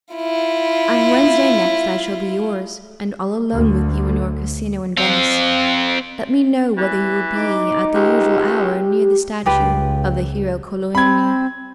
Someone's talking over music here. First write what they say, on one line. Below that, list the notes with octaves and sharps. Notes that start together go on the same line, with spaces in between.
On Wednesday next I shall be yours, and all alone with you in your casino in Venice; let me know whether you will be at the usual hour near the statue of the hero Colleoni.
E4 F4
D2
C4 F5
E3
D#4 D6
C#2 G4
C#2 F4 G4 B4
C4 B5 G#6